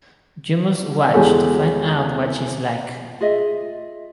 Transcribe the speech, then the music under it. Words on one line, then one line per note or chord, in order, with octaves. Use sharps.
You must watch to find out what she's like.
E2 G#3 F#4 G4 A4 C#5
F4 G#4 D#5 E5